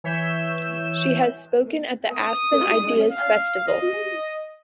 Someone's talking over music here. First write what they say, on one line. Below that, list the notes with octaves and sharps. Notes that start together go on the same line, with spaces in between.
She has spoken at the Aspen Ideas Festival.
E3 C#5 E5 G6 E7
D#6
F5
D#5